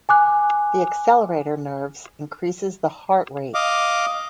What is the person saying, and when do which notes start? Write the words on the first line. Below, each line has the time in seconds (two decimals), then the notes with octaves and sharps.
The accelerator nerves increases the heart rate.
0.09 G#5 D6 F#6
3.54 D#5 F5 D6